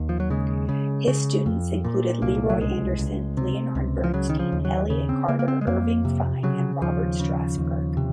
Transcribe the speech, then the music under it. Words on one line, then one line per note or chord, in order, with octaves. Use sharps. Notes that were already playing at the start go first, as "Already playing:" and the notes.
His students included Leroy Anderson, Leonard Bernstein, Elliott Carter, Irving Fine, and Robert Strassburg.
Already playing: D#2
F3
F#3
C#3 G#3
C#3
C#3
F2
A#2
C2 A#3
F#3
C#2 G#3
C#2
C3
C#2
F3
C#3 F#3
D#3
F3
D#2
F#3
C#3
C4
C#3 A#3
A#3
C4
G#3
F2 A#3
C3
C#3 F#3
D#2 F3
C#3
D#2
C3